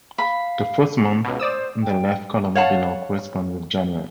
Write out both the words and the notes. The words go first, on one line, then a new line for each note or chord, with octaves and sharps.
The first month in the left column below corresponds with January.
F5 B5
C#2 B2
C5 D5 D#6 E6
G5
C#5 F5 F#5 A5